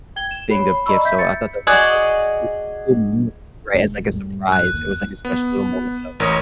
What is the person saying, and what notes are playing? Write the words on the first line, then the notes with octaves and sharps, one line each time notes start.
thing of gifts, so I thought that was just like it was just a cool move, right? As like a surprise. It was like a special little moment, so
G5 G#6 G7
E7
C#5 B5 C7
D5 D#5 A#5 B5 C#6 E6
E5 G6 B6
A6 C#7
F#4 G#4 D5 D#5
D#1 G#3
F#2 A2 G3
F#6
G1 D#2
B3
A1 A#4 C#5 D#6